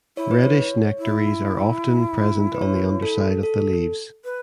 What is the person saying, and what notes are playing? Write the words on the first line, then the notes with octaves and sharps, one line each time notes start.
Reddish nectaries are often present on the underside of the leaves.
E4 C#5
B4
C#5
E4
B4
C#5
A4
A4
B4